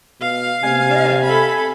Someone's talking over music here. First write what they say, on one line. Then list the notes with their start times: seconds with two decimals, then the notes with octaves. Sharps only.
Are you there?
0.21 B2 F5
0.64 C3 G#5
1.24 A4 B5